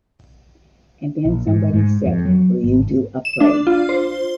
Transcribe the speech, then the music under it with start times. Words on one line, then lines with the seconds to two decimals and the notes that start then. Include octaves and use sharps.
And then somebody said, 'Will you do a play?
1.25 A#1
1.47 G#2
1.74 G#2
2.06 F2
2.25 F#3
2.64 G#1
3.25 E7
3.40 D4
3.67 F4
3.89 C5